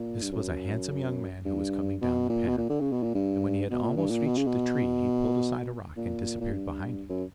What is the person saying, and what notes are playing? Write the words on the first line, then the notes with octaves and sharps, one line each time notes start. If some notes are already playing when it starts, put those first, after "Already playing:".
This was a handsome young man who was coming down the path; and when he had almost reached the tree he pulled aside a rock and disappeared behind it.
Already playing: A#2
G2
F#2
G2
B2
A#2
B2
A#2
D3
C#3
B2
A#2
G2
B2
A#2
G2
A#2
B2
C#3
B2
A#2
A#2
G2
F#2